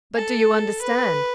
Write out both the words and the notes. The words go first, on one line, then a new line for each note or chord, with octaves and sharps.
"But do you understand?"
A4
B4